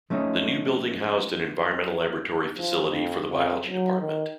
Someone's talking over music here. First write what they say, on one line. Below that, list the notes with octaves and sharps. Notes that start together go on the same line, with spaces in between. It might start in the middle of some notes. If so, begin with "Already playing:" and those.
The new building housed an environmental laboratory facility for the Biology Department.
F3 A3 C#4 D#4
F3
F2
F2
F#3
D#3